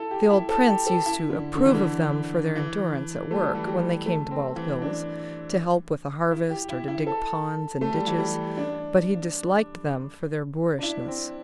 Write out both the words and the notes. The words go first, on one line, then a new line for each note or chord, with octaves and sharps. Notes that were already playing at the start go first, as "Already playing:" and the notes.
The old prince used to approve of them for their endurance at work when they came to Bald Hills to help with the harvest or to dig ponds, and ditches, but he disliked them for their boorishness.
Already playing: E4 A4
G4
E4
A4
G4
A4
E4
D3
D3
E3
D3
E3
A3
G3
E3
G3
A3
C4
E3
D4
E4
G4
E4
E4
A4
A3
G3
E3
G3
D4
D4
E4
C4